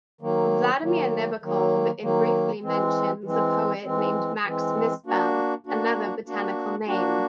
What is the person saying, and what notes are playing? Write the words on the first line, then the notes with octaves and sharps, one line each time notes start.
Vladimir Nabokov in briefly mentions a poet named Max Mispel, "another botanical name".
D#3 F#3 A#3
D#3 F#3 A#3
D#3 F#3 A#3
D#3 F#3 A#3
E3 G#3 C4
E3 G#3 C4
E3 G#3 C4
E3 G#3 C4
A#3 D4 F#4
A#3 D4 F#4
A#3 D4 F#4
A#3 D4 F#4